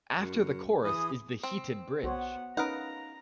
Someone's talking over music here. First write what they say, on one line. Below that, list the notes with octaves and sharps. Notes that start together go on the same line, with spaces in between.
After the chorus is the heated bridge.
F#2
E3 G#4 D#6
C4
B1 B3 F#4 C5 C#5 F#5
C#4 D#4 A#4 B4 D#5 F5 F#5 A#5